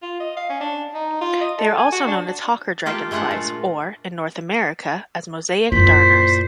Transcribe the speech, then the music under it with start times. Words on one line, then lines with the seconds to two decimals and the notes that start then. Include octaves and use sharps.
They are also known as hawker dragonflies, or, in North America, as mosaic darners.
0.02 F4
0.20 D#5
0.37 F5
0.50 C#4
0.61 D4
0.94 D#4
1.21 F4
1.41 D#5
1.58 A4
1.78 G#5
1.92 F#4
2.07 D4
2.86 A3 A#3 F4 G4 D5
3.11 G#3 A3 D4 F4 F#5
3.31 A#2
5.72 F#2 A#2 E4 C5 B6